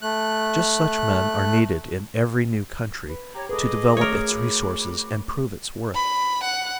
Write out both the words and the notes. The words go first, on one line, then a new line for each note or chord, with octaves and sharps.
Just such men are needed in every new country to develop its resources and prove its worth.
A3 F#6
B4
G4 C#5 A#5 B5
G#4 A4 B4 D#5 D6 D#6
A3 A#4 C#5
F#4 B5 D6
B5
F#5